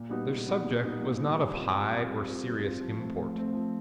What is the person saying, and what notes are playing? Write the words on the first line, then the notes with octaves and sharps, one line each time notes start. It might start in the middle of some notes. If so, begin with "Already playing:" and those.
Their subject was not of high or serious import.
Already playing: A#2
G3 B3 D#4 F#4
A#2
G3 B3 D#4 F#4
A#2
G3 B3 D#4 F#4
A#2
G3 B3 D#4 F#4
G3
C4 F4
G3
C4 F4
G3
C4 F4
G3
C4 F4
F3
A3 C4
F3
A3 C4
F3